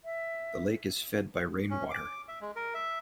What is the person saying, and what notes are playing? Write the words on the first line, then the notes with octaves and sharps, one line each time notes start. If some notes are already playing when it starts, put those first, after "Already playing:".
The lake is fed by rain water.
E5
C#4
D6
E5
G#3
A#4
E5